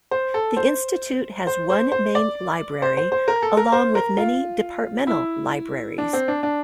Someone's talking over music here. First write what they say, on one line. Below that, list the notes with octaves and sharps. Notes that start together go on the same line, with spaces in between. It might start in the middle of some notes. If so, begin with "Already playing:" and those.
The Institute has one Main Library along with many Departmental Libraries.
C5
A4
C5
C5
C5
C5
D5
C5
C5
C5
A#4
A4
A#4
C5
A#4
F4
E4
D4
C4
D4
D4